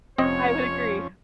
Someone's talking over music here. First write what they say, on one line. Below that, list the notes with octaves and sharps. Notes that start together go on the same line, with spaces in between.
I would agree.
F1 F2 C4 C#4 C#5 D#5